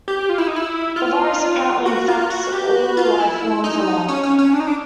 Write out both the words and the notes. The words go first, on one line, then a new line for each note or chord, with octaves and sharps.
The virus apparently infects all life forms on earth.
G4
F4
E4
D#4
E4
F4
F#4
F4
F#4
G4
F#4
F4
E4
D#4
C#4
C#4
C#4
D4
D#4
D4